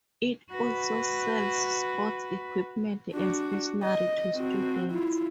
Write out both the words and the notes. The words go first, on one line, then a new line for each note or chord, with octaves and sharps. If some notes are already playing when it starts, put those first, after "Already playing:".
It also sells sports equipment and stationery to students.
F#4 B4
D4 F#4
D#5
C4 F#4
E4 F4